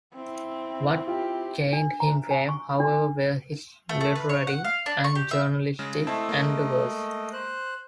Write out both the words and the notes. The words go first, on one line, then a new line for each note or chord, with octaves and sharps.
What gained him fame, however, were his literary and journalistic endeavours.
C4 E4
F4 G4
D4
A#5
G#5
C#6
D4
A3
A3
B4
C#5
F#5
F5
D4
C#6
G4
E5
C#3 G#3
A3 C4 E4 D#5 A5
G#3 A#3
C5 F#6